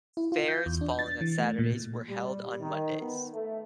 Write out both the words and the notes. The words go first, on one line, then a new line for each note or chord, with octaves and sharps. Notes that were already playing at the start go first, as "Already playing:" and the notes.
Fairs falling on Saturdays were held on Mondays.
E4
F4
G6
E2
D4
A6
E3
A3
A#2
G3
D#3
B3
A3